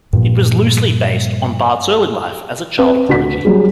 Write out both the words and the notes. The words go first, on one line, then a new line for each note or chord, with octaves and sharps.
It was loosely based on Bart's early life as a child prodigy.
G2 A#2 F3
C4 B4
D2 F#4 B6
F#3 G3 G#4